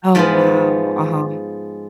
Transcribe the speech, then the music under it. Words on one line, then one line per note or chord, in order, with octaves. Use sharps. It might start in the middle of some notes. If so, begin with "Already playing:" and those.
Oh, wow. Uh-huh.
G#2 F3 G#3 B3